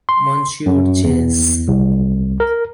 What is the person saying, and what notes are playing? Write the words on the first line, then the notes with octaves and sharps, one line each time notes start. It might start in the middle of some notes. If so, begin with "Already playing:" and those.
Monsieur chasse!
C6
F#2
E2
C2
A#4